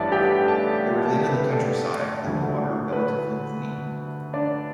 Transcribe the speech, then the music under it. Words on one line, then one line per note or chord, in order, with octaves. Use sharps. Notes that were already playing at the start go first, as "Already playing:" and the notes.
They were then in the countryside, and the water relatively clean.
Already playing: A1 G2 G3 B3 E4 A4 D5 A5
G4 G5
A4 A5
A4 A5
A4
B4
B4
A4
D2 D3 A3
B4
D4 D5